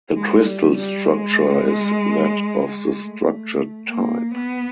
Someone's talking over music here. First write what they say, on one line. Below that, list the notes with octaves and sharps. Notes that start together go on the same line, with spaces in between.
The crystal structure is that of the structure type.
G#3
G3
G3
G#3
A3
A#3
B3